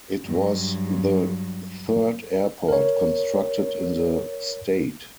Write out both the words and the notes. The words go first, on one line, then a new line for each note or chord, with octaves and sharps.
It was the third airport constructed in the state.
G2 F#3
A#4 C#5